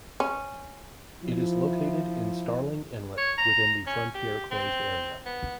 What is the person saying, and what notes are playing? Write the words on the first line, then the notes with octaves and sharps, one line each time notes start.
It is located in Starling Inlet, within the Frontier Closed Area.
C#4
F3 E4
C#5
A#5
C#4
G4
C4
B3